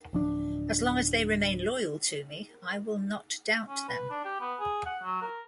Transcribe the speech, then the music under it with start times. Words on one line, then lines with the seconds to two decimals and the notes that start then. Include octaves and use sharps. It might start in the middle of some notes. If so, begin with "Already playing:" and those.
As long as they remain loyal to me, I will not doubt them.
0.13 D1 F3 D4
3.68 C#4
3.89 B4
4.11 D4
4.25 G4
4.41 B3
4.60 G#4
4.86 F#5
5.03 F#3
5.22 A#4